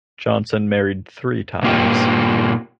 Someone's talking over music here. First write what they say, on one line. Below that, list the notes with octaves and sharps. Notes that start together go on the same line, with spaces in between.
Johnson married three times.
G2 A#2 A#3 F4 G4